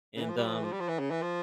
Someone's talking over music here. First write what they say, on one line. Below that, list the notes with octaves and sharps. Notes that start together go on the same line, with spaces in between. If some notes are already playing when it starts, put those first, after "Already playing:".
And um
C#3
E3
F3
G3
F3
E3
F3
G3
F3
E3
C#3
E3
F3